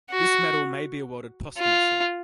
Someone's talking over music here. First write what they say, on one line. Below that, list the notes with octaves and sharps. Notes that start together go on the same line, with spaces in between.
This medal may be awarded posthumously.
F#4
F4